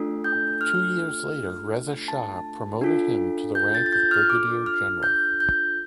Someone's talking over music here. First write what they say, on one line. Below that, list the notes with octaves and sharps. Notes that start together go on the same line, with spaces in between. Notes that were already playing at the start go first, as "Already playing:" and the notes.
Two years later Reza Shah promoted him to the rank of brigadier general.
Already playing: A3 D4 F4 A4
G6
F6
A5
D4 F4 A4
G6
A6
A6
G6
F6
D6
F6
G6
G6